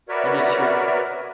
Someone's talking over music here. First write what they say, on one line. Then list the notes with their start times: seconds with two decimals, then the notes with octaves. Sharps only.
so I'm not sure
0.09 F#4 A#4 B4 C#5 D5 E5